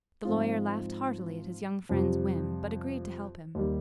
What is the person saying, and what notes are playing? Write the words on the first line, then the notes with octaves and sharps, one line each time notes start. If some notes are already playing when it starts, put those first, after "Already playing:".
The lawyer laughed heartily at his young friend's whim, but agreed to help him.
G#2 F3 C4 F4
F2 C3 G3
D#2 D#3 G3